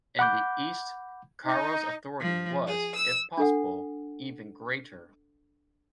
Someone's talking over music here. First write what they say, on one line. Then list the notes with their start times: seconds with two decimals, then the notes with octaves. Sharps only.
In the East, Karo's authority was, if possible, even greater.
0.19 F#5 B5 D6 G6
1.44 D#4
2.20 F3
2.67 G#4
2.95 E6
3.37 D4 A4 F#5